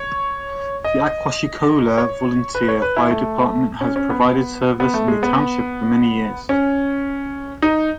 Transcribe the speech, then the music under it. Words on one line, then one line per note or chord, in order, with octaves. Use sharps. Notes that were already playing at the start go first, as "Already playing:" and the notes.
The Aquashicola Volunteer Fire Department has provided service in the township for many years.
Already playing: C#5
D#5
C#5
B4
C#5
B4
E4
A3
C#4
C#4
B3
B3
A3
G#3
B3
C#4
D#4